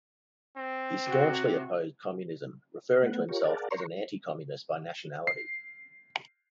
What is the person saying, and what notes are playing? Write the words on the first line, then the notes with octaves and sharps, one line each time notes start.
He staunchly opposed communism, referring to himself as an "anticommunist by nationality".
C4
C3 F#4
A3 B3 F#5
F4 G4 A#4 C#5
G#4 A#4 D5 F5 F#5 A5
A#5 C6 C#6
C7